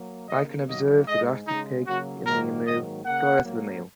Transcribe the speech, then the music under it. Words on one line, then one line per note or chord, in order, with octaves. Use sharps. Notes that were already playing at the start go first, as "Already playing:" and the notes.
They can observe the roasted pig in the imu prior to the meal.
Already playing: F#3 A#3
C#3 A#3 D#5
F#2 D#3 F#3 A#3 D#5
G#2 G#3 D#5
C#3 G#3 D#4
C#3 F#3 A#3 F#4
G#2 D#3 F#3 A#3 A#4
G#2 D#3 F#3 A#3 D#5
C#3 A#3 F#5
G#2 F#3 A#3